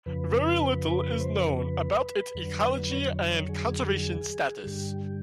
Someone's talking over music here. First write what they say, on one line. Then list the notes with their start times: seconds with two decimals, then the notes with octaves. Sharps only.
Very little is known about its ecology and conservation status.
0.06 F2 C#3 F3 B4
1.20 C5
1.40 B4
1.58 B4
2.35 F2 D3 F#3
2.91 C#5
3.30 C#5
3.49 G#4
4.63 G2 D3 G3 G4